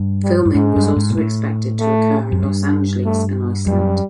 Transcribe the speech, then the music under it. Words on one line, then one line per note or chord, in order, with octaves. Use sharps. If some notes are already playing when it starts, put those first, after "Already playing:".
Filming was also expected to occur in Los Angeles and Iceland.
Already playing: G2
G3
G2
G#2 G#3
G2
G#2
A#2
A2
A3
F#2
G2
A3
F#2 G3